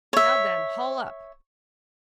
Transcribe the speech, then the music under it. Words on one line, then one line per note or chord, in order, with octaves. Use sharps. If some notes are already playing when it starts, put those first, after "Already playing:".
Now, then, haul up.
C#5 E5